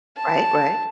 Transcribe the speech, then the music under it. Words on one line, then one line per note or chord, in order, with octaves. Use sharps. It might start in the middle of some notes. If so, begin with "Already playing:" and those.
Right, right.
A5